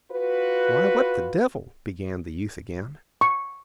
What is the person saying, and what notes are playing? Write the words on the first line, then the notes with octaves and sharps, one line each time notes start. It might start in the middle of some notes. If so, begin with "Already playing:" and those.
"Why, what the devil--" began the youth again.
F4 F#4 B4
C#6